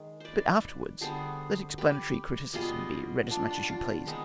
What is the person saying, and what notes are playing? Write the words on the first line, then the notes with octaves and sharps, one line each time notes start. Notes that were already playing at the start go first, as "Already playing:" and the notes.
But afterwards let explanatory criticism be read as much as you please.
Already playing: D#3 G#3 G#4
B4 C5 D5
D3 G3 B3 G#4 C5
G4 B4
B2 G3 B3 F4 G#4
D4 F4
D4
D4 F4
D#3 G#3 B3 C4 D#4